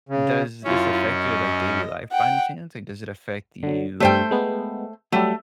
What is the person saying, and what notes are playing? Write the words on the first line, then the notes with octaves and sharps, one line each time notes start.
Does this affect your, like, daily life by any chance, like, does it affect you
C#3
F#2 C#4 E4 F4
D#5
F#5 G5
D3 F#3
G2 G3 A3 C5 G5
G#3 B3
F#3 G3 A3